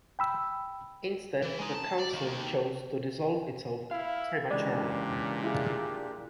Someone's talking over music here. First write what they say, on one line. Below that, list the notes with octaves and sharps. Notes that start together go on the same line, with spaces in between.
Instead, the council chose to dissolve itself prematurely.
G5 B5 E6
E3
G#3 D#4
A5
D5
D#3 A#3
D#2
E4 F5
A#2 C#3 E3 G#3 D4 G4 D5
E4 F4 G#4